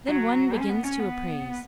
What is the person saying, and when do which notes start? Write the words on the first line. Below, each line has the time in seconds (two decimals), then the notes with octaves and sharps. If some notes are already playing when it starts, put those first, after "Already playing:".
Then one begins to appraise.
0.08 F#3
0.59 C#4
0.70 B3
0.84 C#4
1.00 B3